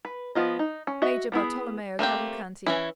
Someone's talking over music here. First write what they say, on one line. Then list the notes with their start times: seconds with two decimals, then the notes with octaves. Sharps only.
Major Bartolomeo Cavalcanti.
0.05 B4
0.35 F3 B3 F4 D#5
0.59 D#4
0.87 C#4
1.02 F#4 D#5 E5
1.32 G3 B3 E4 G#4
1.99 A3 A#3 C4 G4
2.66 E3 C#4 E4